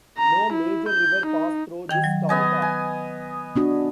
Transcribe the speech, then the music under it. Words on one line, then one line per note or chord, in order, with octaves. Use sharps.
No major river pass through this taluka.
A#5
E4
G6
D#4
D#3 G5 G#6
F#3
B3 D#5 G#5
G#5
B3 D4 F#4